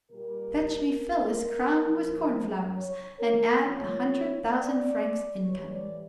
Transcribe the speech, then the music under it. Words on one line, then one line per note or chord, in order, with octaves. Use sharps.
Fetch me Phyllis crowned with corn-flowers, and add a hundred thousand francs income.
A#2 G3 A#4
A#2 F3
C#5
A#4
A#2 F3 C#5
D5
A2 E3 G3 C#5
D5